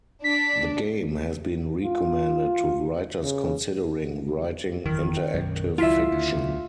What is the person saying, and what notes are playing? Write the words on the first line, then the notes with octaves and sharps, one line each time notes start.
The game has been recommended to writers considering writing interactive fiction.
D4 D5 B6
F4
C#3
F#1 E2 D#3 E3
F#1 B1 F#2
C#2 F#3 E4 F4 E5 B6
D2